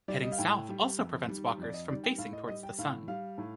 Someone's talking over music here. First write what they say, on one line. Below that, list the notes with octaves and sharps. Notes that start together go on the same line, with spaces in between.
Heading south also prevents walkers from facing towards the sun.
G3 D5
D#5
F5
A2 G5
G3
F2
D#3 G3
F2 D5
D#5
D#3 G3 D5
G5
A2 F5
D#5
G3 D#5
G5
A2 F5
G3 F5
A2